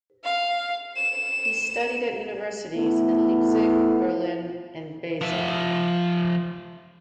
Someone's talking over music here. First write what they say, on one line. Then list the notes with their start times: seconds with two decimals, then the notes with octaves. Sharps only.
He studied at universities in Leipzig, Berlin, and Basel.
0.24 F5
0.96 E7
2.74 A3 B3 E4
5.21 F3 E5